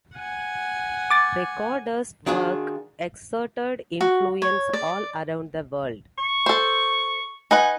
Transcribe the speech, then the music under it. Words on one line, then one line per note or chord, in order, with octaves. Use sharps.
Ricardo's work exerted influence all around the world.
F#5 G#5
D6 A6
D#3 D4 F4 F#4 G#4
F#4
C#5
D5
C#6
A4 C5
D#4 B4 F#5 G#5